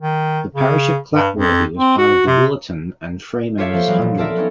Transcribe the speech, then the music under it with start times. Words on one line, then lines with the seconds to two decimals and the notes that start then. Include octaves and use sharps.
The parish of Clatworthy was part of the Williton and Freemanners Hundred.
0.02 D#3
0.55 C#3
1.14 G2
1.34 F2
1.77 C4
1.98 F#4
2.27 C3
3.58 F4 G4 A4 C#5 E5 F5
3.73 F3 A#3 C5
3.87 E3 F#3 G#3 B3
4.02 A#2
4.17 C4 A4 A#4 D5 E5 A#5
4.37 B3 C#4 D#4